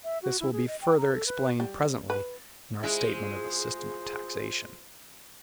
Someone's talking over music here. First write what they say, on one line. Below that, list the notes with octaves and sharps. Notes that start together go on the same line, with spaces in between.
This will be further explained presently in our statement of the system of taxation.
E5
F#4
E4
G#4
D#5
G5
A#5
A4
B4
G3
B4
G#3 E4 F4 G#4 C5